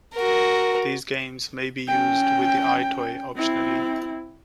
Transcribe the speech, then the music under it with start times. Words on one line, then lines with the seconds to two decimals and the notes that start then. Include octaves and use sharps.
These games may be used with the EyeToy optionally.
0.15 F#4 A#4
1.88 C#4 G5
3.36 C4 E4